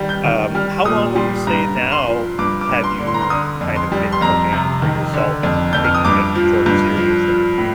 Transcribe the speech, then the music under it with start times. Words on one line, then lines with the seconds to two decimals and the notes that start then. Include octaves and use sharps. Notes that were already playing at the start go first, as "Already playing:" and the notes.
um How long would you say, now, have you kind of been cooking for yourself and taking it sort of seriously?
Already playing: D#3 G3
0.09 G6
0.24 D#3
0.55 G3 F6
0.85 A#2 D#6
1.15 G3 C6
1.47 G2 A#5
1.77 G2
1.92 C6
2.08 F3
2.39 G2 D6
2.61 D6
2.69 G2
2.84 C6
2.99 D3
3.07 C6
3.14 A#5
3.22 C6
3.30 D3 D#6
3.61 F2
3.76 C6
3.92 G3
4.12 C6
4.21 F2 A#5
4.52 C3
4.82 D#3
5.13 D3
5.43 F2
5.73 F2 G6
5.85 F6
5.95 D#6
6.05 G2 D6
6.35 F3
6.66 G2
6.97 F3
7.28 F3
7.58 A2